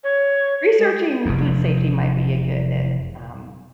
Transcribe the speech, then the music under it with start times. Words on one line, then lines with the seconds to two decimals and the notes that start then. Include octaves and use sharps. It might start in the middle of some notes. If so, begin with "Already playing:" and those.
researching food safety might be a good, eh, um,
0.04 C#5
0.79 G#3
1.26 F1 E2